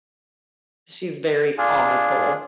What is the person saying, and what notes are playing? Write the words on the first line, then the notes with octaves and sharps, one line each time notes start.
She's very comical,
D4 F4 G#4